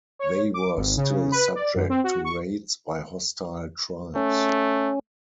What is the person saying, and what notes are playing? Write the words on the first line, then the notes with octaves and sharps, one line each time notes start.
They were still subject to raids by hostile tribes.
C#5
D6
G#1
C#3
B4
D5
F#2
C4
F#4
C#6
A3 C#4